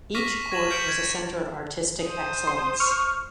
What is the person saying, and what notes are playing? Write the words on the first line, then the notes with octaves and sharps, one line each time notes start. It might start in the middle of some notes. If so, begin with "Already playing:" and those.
Each court was a center of artistic excellence.
C#6 D6 F6 A#6 B6 D#7
C#6 G#6 A#6 D#7 E7 F#7
F6 G6 B6 C#7 D7 F#7
G#6
C5 D#6
C6
C#6 F6